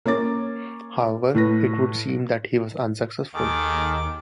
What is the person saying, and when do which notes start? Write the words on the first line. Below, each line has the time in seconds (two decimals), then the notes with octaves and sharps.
However it would seem that he was unsuccessful.
0.06 A#3 C#4 D6 A6
1.35 A2 B4 A#6
3.35 D#2 D#3 G#4 A4 D6